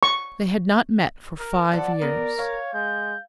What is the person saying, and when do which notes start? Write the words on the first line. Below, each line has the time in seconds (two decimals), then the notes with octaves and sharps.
They had not met for five years.
0.03 C#6
1.39 A#4
1.72 F3 A4 D5 F#5
2.02 B3 A#4
2.39 C#5 F5
2.74 G#3 G6